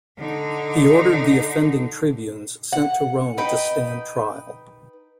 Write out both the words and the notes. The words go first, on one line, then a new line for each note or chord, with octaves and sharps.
He ordered the offending tribunes sent to Rome to stand trial.
D3 D#4
F#5
D#4 B4 G5